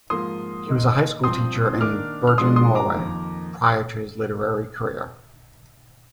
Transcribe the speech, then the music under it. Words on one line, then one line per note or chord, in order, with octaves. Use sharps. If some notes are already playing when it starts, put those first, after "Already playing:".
He was a high school teacher in Bergen, Norway, prior to his literary career.
G#2 F3 A#3 C6 D#6
D#3 A#3 D#4
G2 F3 C4 C6 D#6
D#3 A#3 D4 D6 F6
F6
G#2 F3 G#3 D4 C6 D#6
C6 D#6
A#5 D6
F2 D#3 A#3